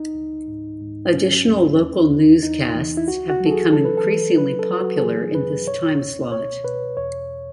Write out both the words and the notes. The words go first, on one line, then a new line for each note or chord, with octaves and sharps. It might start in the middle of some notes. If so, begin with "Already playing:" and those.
Additional local newscasts have become increasingly popular in this time slot.
Already playing: C#2 D#4
C#2
G#2
G#2
F#3 C#4
D#2
E2
E2
E2 D#4
E3
E4
C#2 F#4
F#4
F#3
A4
G#4
E3 A4
B4
A4
E3
F#3 B4
A4
F#3
F#4
A4
E3 G#4
F#2 B4
B2 C#5
C#2
B2 C#5
B2 B4
E2 C#5